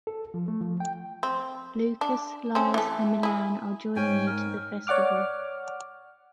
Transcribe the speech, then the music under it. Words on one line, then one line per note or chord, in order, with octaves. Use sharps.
Lucas, Lars, and Milan are joining me to the festival.
A4
F3
A3
F3
G5
C4
D4
C4 C#4
E3 A3
E4 G#4
G#2 C#4 G5 G#5
A#4
C#5 D5 F#5 D6 F6